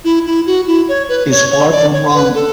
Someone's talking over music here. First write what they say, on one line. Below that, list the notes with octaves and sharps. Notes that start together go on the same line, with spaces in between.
Is far from wrong!
E4
E4
F#4
E4
C#5
B4
C#5
C#5
D5
C#5
B4
A4